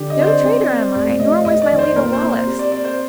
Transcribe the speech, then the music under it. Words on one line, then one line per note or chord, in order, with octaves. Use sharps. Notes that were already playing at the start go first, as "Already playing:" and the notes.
No traitor am I, nor was my leader Wallace.
Already playing: D3 G4
D#5
C4 C5
D5
C4
C4 C5
F1 D5
F1 D#5
F1 D#5
D5
D#3
C5
A#2 A#4
C5
C4
C5
G4
D5
C4 D5
C5